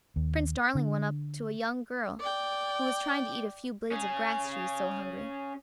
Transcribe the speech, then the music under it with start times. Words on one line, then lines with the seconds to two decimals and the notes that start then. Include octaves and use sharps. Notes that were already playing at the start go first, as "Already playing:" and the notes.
Prince Darling went up to a young girl who was trying to eat a few blades of grass, she was so hungry.
0.16 D#2
0.75 D3
2.20 D5 G5
3.91 C#4 G#4